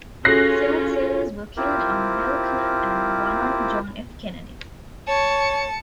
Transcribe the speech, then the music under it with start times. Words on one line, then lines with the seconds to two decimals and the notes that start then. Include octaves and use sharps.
Seven sailors were killed on "Belknap" and one on "John F. Kennedy".
0.25 C#4 F4 F#4 G#4 A4 F#6 A#6 C7
1.57 C4 E4 F4 G4 A#4 C5
5.08 C#5 A5 C#7